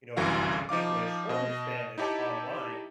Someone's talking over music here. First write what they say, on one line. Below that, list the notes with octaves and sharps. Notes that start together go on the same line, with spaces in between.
you know, teaching English or Spanish online.
G1 C2 F#2 E3 F#4 F5
F3 D#4 F5 D6
B2 D#5
D#4 E4 G4 C#5 A5